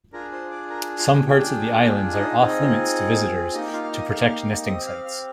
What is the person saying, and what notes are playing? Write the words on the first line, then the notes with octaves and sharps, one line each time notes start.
Some parts of the islands are off limits to visitors to protect nesting sites.
D4 F4 G#4 A#4 A#5
C5 C6
D5 D6
A#4 A#5
F4 F5
G4 G5
D4 F4 G4 G#4 G5
G4 G5
D#4 D#5
C4 D#4 F4 G#4 D#5
A#3 D#4 G4 D#5
G5
F4 F5
F6
D#5 D#6
F5 F6
C4 G4 D#5 D#6
F5 F6
F5 F6